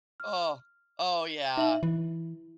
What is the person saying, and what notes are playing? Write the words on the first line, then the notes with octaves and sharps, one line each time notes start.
Oh! Oh, yeah.
F6
D#4 E5 F#7
E3 E4